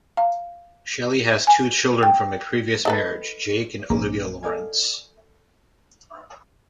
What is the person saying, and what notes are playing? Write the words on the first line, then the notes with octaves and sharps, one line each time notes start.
Shelley has two children from a previous marriage, Jake and Olivia Lawrence.
F5
G#5
G5
D#4 A4 B4
A#1 A#3 C#4 G#4 A#5 D6
A4 A#4 D5 D#5 F5 G#5